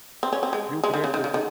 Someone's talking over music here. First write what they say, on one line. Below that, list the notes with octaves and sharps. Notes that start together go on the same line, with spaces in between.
You great booby!
C4
C#4
C4
G#3
G#3
D#3
C#3
D#3
C#3
D#3